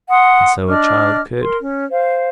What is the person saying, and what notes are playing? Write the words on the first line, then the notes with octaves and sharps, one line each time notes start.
And so a child could.
F#5 C6 D#6
D4 D#5 D6 F6
A#4 C6
C#4
C5 F5